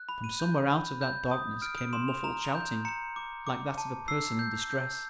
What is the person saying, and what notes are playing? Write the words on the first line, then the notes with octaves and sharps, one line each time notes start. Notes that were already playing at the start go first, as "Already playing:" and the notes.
From somewhere out of that darkness came a muffled shouting, like that of a person in distress.
Already playing: F#6
B5
D#7
G6
B5
G6
D#6
F6 D7
D7
C6 E7
F7
A#5 F7
F7
G6
A#5 C#7
D6
D6
A5
E6 C7
G6
G6